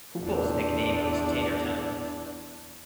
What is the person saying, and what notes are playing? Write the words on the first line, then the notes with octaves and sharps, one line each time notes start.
Hoople's nickname is Tatertown.
E2 D4